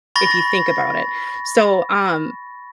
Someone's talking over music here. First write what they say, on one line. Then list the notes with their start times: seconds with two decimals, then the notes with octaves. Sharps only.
if you think about it. So, um,
0.16 B5 C#6 A6 A#6